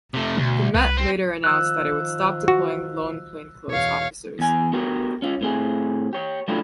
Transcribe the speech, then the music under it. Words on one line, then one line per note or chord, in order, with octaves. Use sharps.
The Met later announced that it would stop deploying lone plainclothes officers.
C3 A3
D2 B2
C2 B4
C4
D#3 F3 E6 F#6
F#4
E2 B2 C#5 F5
E2 G#5
B3 F#4 G4 A#4
C#4 F4
A2 C4 G#4
G4 C#5
F#3 A3 D4 E4 F4 G4